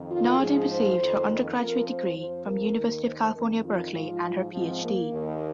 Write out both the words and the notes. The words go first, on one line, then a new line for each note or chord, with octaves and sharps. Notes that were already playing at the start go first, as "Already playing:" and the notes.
Nardi received her undergraduate degree from University of California at Berkeley and her PhD.
Already playing: F2 D#3
F4
G#2 F3 G#4
C5
F2 D#3
F2 F3 A#4
C5
F2 F3 C5
A#4
D#2 D#3
C5
F2 D#3 A#4
F4
G#2 F3 F4
G#2 F3 C4
A#3
D#2 D#3